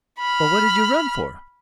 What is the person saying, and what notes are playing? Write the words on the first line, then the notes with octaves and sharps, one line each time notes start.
"Well what did you run for?"
B5 F6